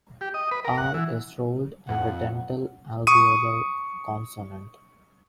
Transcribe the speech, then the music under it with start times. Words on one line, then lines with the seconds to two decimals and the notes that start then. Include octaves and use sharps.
R is rolled and a dental-alveolar consonant.
0.21 G4
0.34 D#5
0.51 B4
0.65 A#4
0.78 F#5
0.94 E3
1.89 F2 F#5
3.07 C#6 D#6 D#7